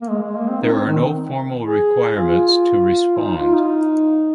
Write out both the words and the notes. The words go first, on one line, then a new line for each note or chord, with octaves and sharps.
There are no formal requirements to respond.
A#3
G#3
G#3
A#3
C4
D#4
C4
D#3
G#4
F4
D#4
F4
D#4